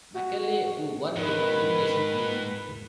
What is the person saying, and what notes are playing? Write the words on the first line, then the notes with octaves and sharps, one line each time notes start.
Macaulay, who worked in elimination theory.
F#4
G#2 D#3 B4